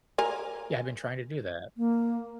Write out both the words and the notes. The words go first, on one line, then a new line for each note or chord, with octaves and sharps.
Yeah, I've been trying to do that.
A#4 G#5
A#3